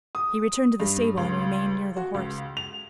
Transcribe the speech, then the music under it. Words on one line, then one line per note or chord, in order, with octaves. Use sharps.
He returned to the stable and remained near the horse.
D#6
G2
C#2
F#4
C#2
F7